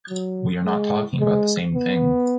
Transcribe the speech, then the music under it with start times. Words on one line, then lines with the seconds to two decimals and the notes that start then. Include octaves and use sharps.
We are not talking about the same thing.
0.10 F#3
0.66 G#3
1.20 G#3
1.75 B3